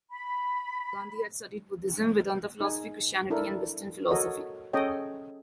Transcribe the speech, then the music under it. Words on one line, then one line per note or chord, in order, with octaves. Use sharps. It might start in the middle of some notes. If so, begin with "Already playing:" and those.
Gandhi had studied Buddhism, Vedanta Philosophy, Christianity, and western philosophy.
B5
D#4 G#4 G#5
D4 E4 A4 A#4
F#4 A4 A#4 C#5 D#5
C#4 G#4 A4 C#5 D#5 G5